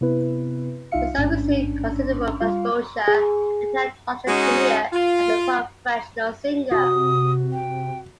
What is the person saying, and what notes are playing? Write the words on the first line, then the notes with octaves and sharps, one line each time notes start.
The song received considerable exposure and helped launch her career as a professional singer.
C3 B3 E4 B4
C2 D#4 F4 E5 F5 C#7
A1 G#2 C#4 D4
G3 F4 F5
G#4
G#3 C#4 D#4 F#4
F4
C3 F#4 D#6
G5